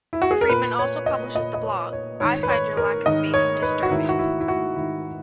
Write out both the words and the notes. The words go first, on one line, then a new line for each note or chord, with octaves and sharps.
Friedman also publishes the blog "I Find Your Lack of Faith Disturbing".
E4
F#4
G#4
A#4
A#2 B4
C#5
D#5
A#2 D#5
D#5
C#5
C#5
G#2 D#3 C#5
B4
C#5
A#4
G#2 D#3 D#5
C#5
B4
F#4
G#2 D#3 E4
F#4
E4
E4
F#4
G#2 D#3 E4